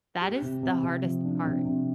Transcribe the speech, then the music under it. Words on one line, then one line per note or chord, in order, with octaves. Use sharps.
That is the hardest part.
G4
C3
C3
C3
F3
D4
C3
C3